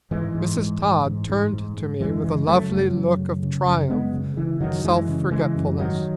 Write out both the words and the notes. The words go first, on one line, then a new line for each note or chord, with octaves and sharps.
Mrs. Todd turned to me with a lovely look of triumph and self-forgetfulness.
G#2 E3 G#3
G#2
G#2
G#2
G#2
G#2
G#2
G#2
F#2 E3 G#3
C#3 E3 G#3
C#3 F#3 A3
F#2 F#3 A3
F#2
C#3
C#3
F#2
F#2 G#3 B3
C#3
C#3 E3
F#2 D#3 F#3
F#2 E3 G#3
C#3
C#3 E3 G#3
F#2
G#2 D#3 F#3